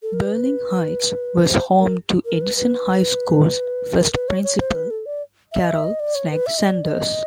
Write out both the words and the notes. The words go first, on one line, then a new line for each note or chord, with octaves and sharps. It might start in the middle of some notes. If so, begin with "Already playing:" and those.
Berlin Heights was home to Edison High School's first principal Carroll "Snag" Sanders.
A4
A#4
B4
C5
A#4
A#4
B4
B4
A#4
B4
C#5
C#5
C5
B4
A4
D5
E5
D#5
E5
D#5
D5
C#5
B4
E5
D#5
D5
D#5